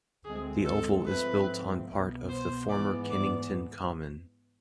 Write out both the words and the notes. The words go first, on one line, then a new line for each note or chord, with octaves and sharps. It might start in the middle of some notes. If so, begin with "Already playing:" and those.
The Oval is built on part of the former Kennington Common.
D2 D3 G#3 C4 G#4
A4
G#2 F3 A3 C4 B4
C2 B2 B3
C5
G#2 E3 B3 D5
D5